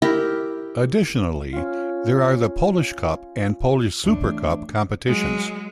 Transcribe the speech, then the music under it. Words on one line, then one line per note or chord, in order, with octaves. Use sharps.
Additionally, there are the Polish Cup and Polish Supercup competitions.
E4 G4 A#4
C#4 F4
C2 F2 A2 D4
E3 F#3 A3
F#3 G#3